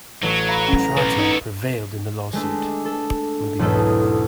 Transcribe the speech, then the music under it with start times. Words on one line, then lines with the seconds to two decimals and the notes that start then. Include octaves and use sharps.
Troughton prevailed in the lawsuit.
0.23 A1 F#3 B6
0.49 F5 A#5 B5
0.68 C#4 F#5
0.97 B1 B4
1.18 C#4 D#4 A4 C#5 F#5
2.33 G#3 A3 D4
2.85 A4
3.59 B1 E2 G#2 A3 A4 D#6